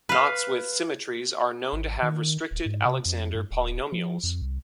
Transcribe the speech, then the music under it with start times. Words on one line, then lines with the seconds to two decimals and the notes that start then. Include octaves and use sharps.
Knots with symmetries are known to have restricted Alexander polynomials.
0.09 B4 F5
1.73 G#1
2.02 D#3
2.51 D1
2.66 G#2
2.85 C3
3.05 F2
3.35 G2
3.51 D1
3.92 F3
4.23 F2
4.42 C2